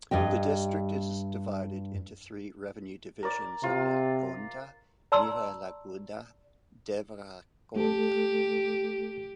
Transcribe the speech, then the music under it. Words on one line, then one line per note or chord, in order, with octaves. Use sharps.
The district is divided into three revenue divisions of Nalgonda, Miryalaguda, Devarakonda.
G2 G3 D#5 G5
A#4 D5
C3 F4
D5 A5 A#5 C6 E6
A3 G4 A4